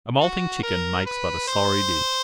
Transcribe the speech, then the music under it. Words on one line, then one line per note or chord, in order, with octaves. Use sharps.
A moulting chicken makes but a sorry dish.
F#4
A#4
B4
C5